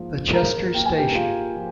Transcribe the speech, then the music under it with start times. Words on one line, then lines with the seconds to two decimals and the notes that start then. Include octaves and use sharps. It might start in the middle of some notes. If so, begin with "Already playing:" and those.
The Chester stn.
Already playing: G#2 F3 A#3
0.33 G#2 A#4 A#5
0.74 A#3 G5
0.85 G#5
0.97 G4 G5
1.14 G#2 F4 F5
1.55 F3